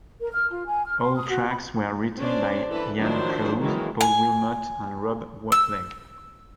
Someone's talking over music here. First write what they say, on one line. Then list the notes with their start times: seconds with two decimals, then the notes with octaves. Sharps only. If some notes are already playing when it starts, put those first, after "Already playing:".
All tracks were written by Ian Crause, Paul Wilmott, and Rob Whatley.
0.20 A#4
0.32 F6
0.51 F4
0.67 G#5
0.85 F6
0.99 C6
1.16 D#6
1.28 F#4
1.46 B5
2.17 C#4 D4 C5 D5
2.69 E3 A4 B4
2.98 D#3 F3 F#3 D4 E4 C5
3.59 D#3 E3 F#3 G#3 A#3 E4
4.01 G#5
5.52 E6